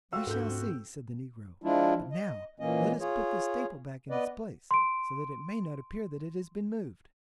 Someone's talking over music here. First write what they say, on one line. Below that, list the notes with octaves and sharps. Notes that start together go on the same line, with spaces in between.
"We shall see," said the negro; "but now let us put this staple back in its place, so that it may not appear that it has been moved."
F3 A3 F#4 F5 G5 E6
D2 G#2 A4 G6
C4
F3 G#3 D4 E4 F4
D#5
A#2 E3 A#3 C#4 D#5
F4 G#4 C#5
B3 B4 D5 D#5
C6 D7